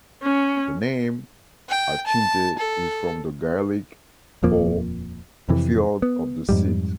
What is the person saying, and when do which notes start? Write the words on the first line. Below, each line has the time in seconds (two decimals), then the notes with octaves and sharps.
The name Achintee is from the Gaelic for "the field of the seat".
0.23 C#4
1.69 G5
2.07 A5
2.58 A4
4.43 D#1 F2 F3 A#3
5.49 F2 C3 E3
6.02 B3
6.49 F2 G#2 G3